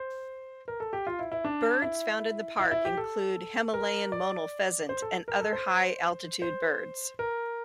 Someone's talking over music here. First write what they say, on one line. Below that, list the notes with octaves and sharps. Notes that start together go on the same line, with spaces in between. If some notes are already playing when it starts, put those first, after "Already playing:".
Birds found in the park include Himalayan monal pheasant and other high altitude birds.
Already playing: C5
A#4
A4
G4
F4
E4
E4
D4
E4
E4
E4
G4
A4
A#4
D5
C5
A4
A#4
A4
C5
C5
A#4